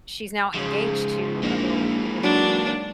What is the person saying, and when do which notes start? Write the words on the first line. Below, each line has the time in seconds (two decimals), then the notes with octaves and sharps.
she's now engaged to a little a li
0.54 G#2 C#3 F3
1.42 A#1 E3 A#3
2.23 F#3 D4